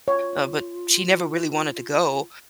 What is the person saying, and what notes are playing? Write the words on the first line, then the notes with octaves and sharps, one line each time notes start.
uh, but she never really wanted to go,
F4 C#5